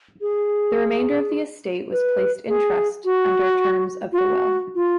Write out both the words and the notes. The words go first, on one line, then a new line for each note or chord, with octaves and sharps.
The remainder of the estate was placed in trust under terms of the will.
G#4
B4
G#4
F#4
F4
F#4
F4